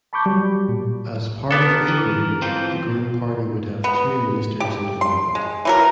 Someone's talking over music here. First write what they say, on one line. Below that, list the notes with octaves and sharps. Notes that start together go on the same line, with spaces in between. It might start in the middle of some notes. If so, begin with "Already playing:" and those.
As part of the agreement the Green Party would have two ministers in government.
A5 B5 C#6 D6 G6
F#3 G3
A#2
B3 G4 A4
A#4
E3
E3 C4 F4 G5
B3
G4
C6
G#3
E3 F#3 A#4